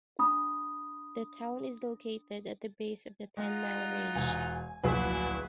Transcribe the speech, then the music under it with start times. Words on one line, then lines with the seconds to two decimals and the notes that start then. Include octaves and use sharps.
The town is located at the base of the Tenmile Range.
0.19 D4 B5 D#6
3.37 G#3 D#4 F4 F#5
4.15 E1 G#5
4.84 D1 A#1 D4 E4 F#4 G#4 B4